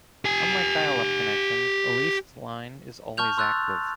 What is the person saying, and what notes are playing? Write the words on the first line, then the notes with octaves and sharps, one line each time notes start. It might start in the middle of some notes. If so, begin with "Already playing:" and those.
Unlike dial-up connections, a leased line is always active.
G4 G#5
A5 C#6 F6 G6 F7
C6 E6 F#6 G6 A6